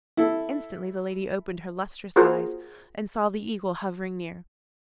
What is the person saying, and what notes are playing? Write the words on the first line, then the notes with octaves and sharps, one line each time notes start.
Instantly the lady opened her lustrous eyes, and saw the Eagle hovering near.
E4 A4
A#3 F4 F#4 G#4 A#4 C5